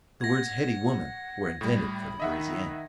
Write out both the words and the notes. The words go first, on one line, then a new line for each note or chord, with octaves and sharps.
The words heady woman were invented for the Parisienne.
F#5 G#6 A#6
A2 G3 B5
D#3 D#5 E5 F#5